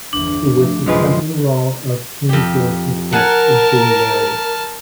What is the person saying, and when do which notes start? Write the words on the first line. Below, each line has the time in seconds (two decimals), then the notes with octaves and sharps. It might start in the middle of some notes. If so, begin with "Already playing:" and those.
He was the son-in-law of King George the Fifth and Queen Mary.
0.13 G1 E2 D4
0.55 F3 A3
0.86 A1 F#2 C3 D#3 F3 G#3 B4
2.29 F2 G4
3.13 A#4 F#5 G#5 A5 F6